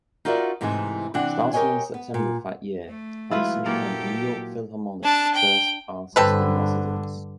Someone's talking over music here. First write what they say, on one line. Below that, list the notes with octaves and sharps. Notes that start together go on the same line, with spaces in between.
Starting in September of that year, Hampson became the New York Philharmonic's first Artist-in-Residence.
D#4 F4 F#4 A#4 D5 E5
G#2 C3 E3 A3 D#4 G#5
C3 E3 D4 F#5
G4 A#4 B4 C#5 D#5 G#5
B3
A#2
A3
E3 F#3 G#3 E4 F4 B4
A#2 F#3 G4 A4 A#4 D5
D4 A5
G5
G2 D3 C4 A4 B4